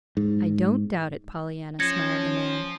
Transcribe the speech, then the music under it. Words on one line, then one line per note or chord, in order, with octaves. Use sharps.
"I don't doubt it, Pollyanna," smiled the man.
G#2
F3 C#4 G#6 A#6 C#7